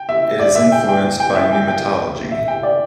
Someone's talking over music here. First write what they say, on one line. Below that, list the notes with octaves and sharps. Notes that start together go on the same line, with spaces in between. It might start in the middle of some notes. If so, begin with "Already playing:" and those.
It is influenced by pneumatology.
Already playing: G5
E5
D5
E5
G5
G5
G5
E5
G5
G5
E5
G5
D5